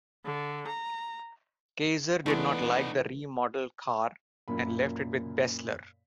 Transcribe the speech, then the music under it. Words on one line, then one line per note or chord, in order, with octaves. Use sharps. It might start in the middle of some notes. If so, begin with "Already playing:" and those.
Kaiser did not like the remodeled car and left it with Besler.
D3
A#5
E3 G#3 A3 B3 D#4 E4 D5 C#6
F#2 A#2 A#3 B5